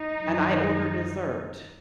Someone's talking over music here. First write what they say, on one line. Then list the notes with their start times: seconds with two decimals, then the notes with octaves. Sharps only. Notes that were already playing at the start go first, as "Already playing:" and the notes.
and I order dessert
Already playing: D#4
0.20 F#2 D#3 F#3